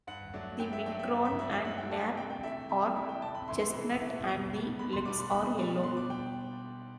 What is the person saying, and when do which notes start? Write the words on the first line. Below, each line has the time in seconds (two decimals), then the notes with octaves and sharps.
The midcrown and nape are chestnut and the legs are yellow.
0.07 G2 F#5
0.34 F#3 A3 D4
0.60 G2 G5
0.73 E5
0.86 F#3 A3 D4 G5
0.99 E5
1.12 G2
1.25 E5
1.38 F#3 A3 D4 E5
1.51 E5
1.65 G2 F#5
1.78 G5
1.91 F#3 A3 D4 A5
2.17 C3 G5
2.30 G5
2.43 E3 A3 E4 E5
2.69 C3 E5
2.95 E3 A3 E4 E5
3.09 G5
3.22 C3 A5
3.35 B5
3.48 E3 A3 E4 C6
3.61 C6
3.74 C3 B5
4.00 E3 A3 E4
4.27 B2
4.53 G3 B3 D4
4.79 B2 B5
4.93 C6
5.05 G3 B3 D4 D6
5.18 C6
5.31 B2 B5
5.58 G3 B3 D4
5.83 B2 C6
5.97 D6
6.10 G5